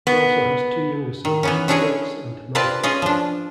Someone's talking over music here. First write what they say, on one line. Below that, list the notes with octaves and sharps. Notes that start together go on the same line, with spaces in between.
He also has two younger sons, Gates and Marco.
B3
D#3
E3 B3 C#4
C#4 D4 E4 G#4 C#5 D#5
C4 F4 B4 D5 A5
C#4 F4 G#4 D#5
F3 D4